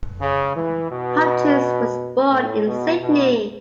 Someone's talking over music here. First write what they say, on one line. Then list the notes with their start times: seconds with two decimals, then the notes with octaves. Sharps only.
Hutchins was born in Sydney.
0.21 C#3
0.56 E3
0.92 B2
2.31 A2
2.67 B2
3.01 B2